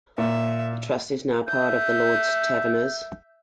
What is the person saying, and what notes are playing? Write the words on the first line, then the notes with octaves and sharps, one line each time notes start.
The trust is now part of the Lord's Taverners.
A#2 E5
E5 G6